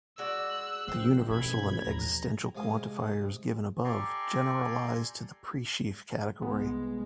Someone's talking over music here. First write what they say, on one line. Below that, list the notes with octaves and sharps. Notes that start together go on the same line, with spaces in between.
The universal and existential quantifiers given above generalize to the presheaf category.
G#3 F#4 D5 E6 F#6
A#1 C#3 C5 G5
A1 B2 B5 G#6
D#2 F3 A#5
C3 G#3 F5 D#6
G4 A4 D5 G#5 A#5 C6
C2 G#3 B3